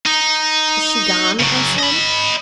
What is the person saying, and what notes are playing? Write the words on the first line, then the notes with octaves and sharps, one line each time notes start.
'Is she gone?' I said.
D#4
C#3 F#3
D#5 B5